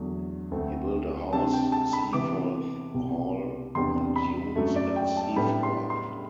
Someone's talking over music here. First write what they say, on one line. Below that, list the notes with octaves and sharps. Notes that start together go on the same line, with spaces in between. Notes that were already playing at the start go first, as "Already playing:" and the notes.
He built a house, Seaforth Hall on dunes at Seaforth.
Already playing: E2 D3 F#3 A3 D4
D2 D3 A3 C4
C3 G3 D4 A5
G5
A5
B5
C3 E3 B3 D6
C2 B2 G3
E2 C3 G3 B3 D4 C6
B5
F#2 F#3 A3
D5
G5
A5
A2 G3 B3 D4 B5
C6
C6